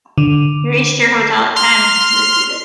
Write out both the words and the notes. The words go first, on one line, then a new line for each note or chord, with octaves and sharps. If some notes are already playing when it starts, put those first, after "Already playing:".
"You reached your hotel at ten," he repeated.
D3
C6 F6 C7